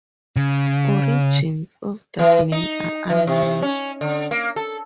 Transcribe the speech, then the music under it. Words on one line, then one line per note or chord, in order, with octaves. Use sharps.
Origins of that name are unknown.
C#3
E3
D#4
E3
C3
C#4
D3
A#3
A4